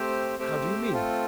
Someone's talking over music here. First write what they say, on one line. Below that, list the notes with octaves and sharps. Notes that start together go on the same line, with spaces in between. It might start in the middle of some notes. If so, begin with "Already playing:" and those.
"How do you mean?"
Already playing: A3 C4 G4 C5
A3 C4 G4 C5
A3 C4 F4 A4